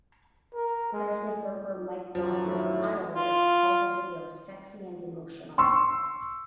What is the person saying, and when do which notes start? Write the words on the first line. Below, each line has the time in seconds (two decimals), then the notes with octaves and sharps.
Presley Gerber Mike Wass of "Idolator" called the video "sexy and emotional".
0.54 A#4
0.93 G#3
2.15 F#2 D#3 F3 F#3
2.46 A2
3.16 F4
5.58 C6 C#6 E6